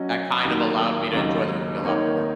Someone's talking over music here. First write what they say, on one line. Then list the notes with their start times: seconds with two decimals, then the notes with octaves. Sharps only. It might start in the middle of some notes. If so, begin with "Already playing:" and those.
that kind of allowed me to enjoy the movie a lot more.
Already playing: F#3 C#4 F#4 D#5
0.43 D#2 D#3 F#3 A#3
1.13 D#2 C#3 F#3 D#4
1.83 D#3 A#3 D#4 A#4 C#5